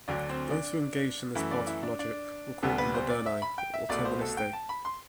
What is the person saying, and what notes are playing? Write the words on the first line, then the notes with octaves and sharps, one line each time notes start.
Those who engaged in this part of logic were called the "Moderni", or "Terministae".
D2 D3 F#3 D4
C4
D4
F#2 E3 A3 E4
D5
E4
D4
D4
D2 C3 G3 B3 A4
B4
C5
D5
E5
B5
G5
E5
C2 B2 A3 D5
C5
A4
G5
A5
B5
C6